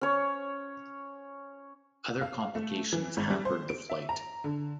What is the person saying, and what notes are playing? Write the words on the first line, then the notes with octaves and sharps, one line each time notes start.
Other complications hampered the flight.
C#4 C#5
F5
A3
E3
G#1
G3
C5
D7
E5
A#5
D3